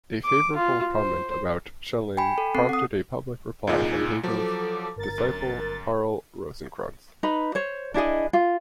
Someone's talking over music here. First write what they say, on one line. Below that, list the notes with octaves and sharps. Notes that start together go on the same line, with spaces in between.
A favourable comment about Schelling prompted a public reply from Hegel's disciple Karl Rosenkranz.
D6
F4
C5
G5 G#5 B5
A4
C4 A4 C7
F#5 D#6
C2 A#2 D#4 F4 G#4
F3 F#3 A4 D6
G1 A#4 A6
F#2
D#4 B4 B5
C5 C#5
D4 E4 G#4 D#5
F4